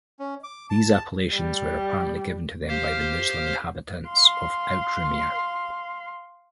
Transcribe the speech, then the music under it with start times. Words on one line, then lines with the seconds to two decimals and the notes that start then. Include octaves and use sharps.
These appellations were apparently given to them by the Muslim inhabitants of Outremer.
0.19 C#4
0.44 D6
0.70 A5
1.32 G3
2.69 G4 C5 F5 F6
4.08 F5 C6